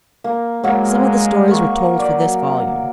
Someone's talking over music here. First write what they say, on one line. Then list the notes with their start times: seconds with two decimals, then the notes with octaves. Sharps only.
Some of the stories were told for this volume.
0.24 A#3
0.64 F#3 G#3 A#3
1.48 A#3 C#6
1.99 F#3 D5